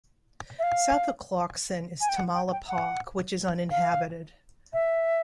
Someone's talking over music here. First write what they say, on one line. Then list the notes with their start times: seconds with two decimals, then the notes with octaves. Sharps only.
South of Clarkson is Tamala Park, which is uninhabited.
0.59 E5
0.63 F5
2.01 G#5
2.09 G5
2.17 F#5
2.34 G5
2.52 G5
2.68 F#5
3.71 F5
4.73 E5